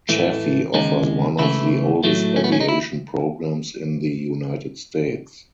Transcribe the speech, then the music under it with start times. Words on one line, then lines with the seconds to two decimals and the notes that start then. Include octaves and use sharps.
Chaffey offers one of the oldest aviation programs in the United States.
0.09 A2 E3 A3
0.74 D#2 C#3 G#3 D#4
1.39 C#2 C#3 E3 A3 E4
2.04 A2 F#3 A3
2.36 C#4
2.44 B3
2.52 C#4
2.60 D#4
2.69 E4